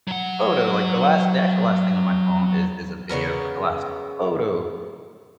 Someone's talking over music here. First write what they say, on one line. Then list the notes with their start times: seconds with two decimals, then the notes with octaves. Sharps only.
photo, like, the last the actual last thing on my phone is is a video, but the last photo
0.08 F#3 F#5
3.09 C#3 F#3 B3 A#4